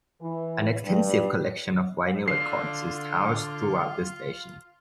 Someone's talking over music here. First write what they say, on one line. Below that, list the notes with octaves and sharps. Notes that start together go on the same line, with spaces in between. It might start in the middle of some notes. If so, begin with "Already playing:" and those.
An extensive collection of vinyl records is housed throughout the station.
E3
G2
D3 F4 C7